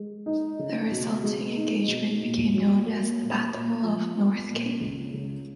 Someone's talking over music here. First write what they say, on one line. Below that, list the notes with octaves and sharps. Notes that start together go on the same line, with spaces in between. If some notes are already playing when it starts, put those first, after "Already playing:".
The resulting engagement became known as the Battle of North Cape.
Already playing: G#3
D#4
C#3
B2
G#3
D#4
B2
A#2
F#3
A#3
A#2
A#2
F3
B3
A#2
C#2
C#3